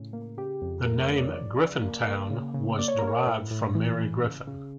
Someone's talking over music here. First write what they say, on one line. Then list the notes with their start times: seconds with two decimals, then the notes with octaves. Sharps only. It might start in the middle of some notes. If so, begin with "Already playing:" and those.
The name "Griffintown" was derived from Mary Griffin.
Already playing: A2 C#3
0.13 A#3
0.38 C#3 G4
0.62 F2
0.86 A3 A#4
1.02 C#5
1.09 C#3
1.17 D5
1.34 F3 D5
1.58 C#3
1.83 A#3
2.07 A#3
2.30 C#3
2.54 C#3
2.79 A#3 D5
2.88 C#5
2.99 A#3 A#4
3.07 C#5
3.27 A2
3.51 A2
3.75 E3
3.99 E3
4.23 C#3
4.47 C#3